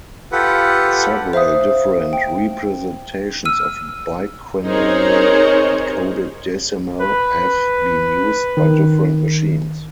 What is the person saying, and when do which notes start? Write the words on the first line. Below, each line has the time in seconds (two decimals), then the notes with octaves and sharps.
Several different representations of bi-quinary coded decimal have been used by different machines.
0.32 F4 G4 A4 B4 F#5
1.33 C5 E5 F5 D#6
2.13 G5
3.45 E6 F6 D#7
4.65 C4 D#4 G#4 A#4 C5 C#5
7.00 B4
8.57 D#3